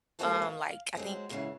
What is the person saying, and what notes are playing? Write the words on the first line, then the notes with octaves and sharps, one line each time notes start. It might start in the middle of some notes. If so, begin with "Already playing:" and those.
um, like, I think,
G#3 A#3 C4 F#4 G4 A4
F5
F#3 G#3 C4
G#2 C#3 E3